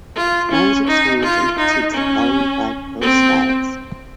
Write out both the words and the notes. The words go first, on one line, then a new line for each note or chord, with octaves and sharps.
Myers explains and critiques the following five prose styles.
F4
C#4
D#4
F4
D#4
C#4
C4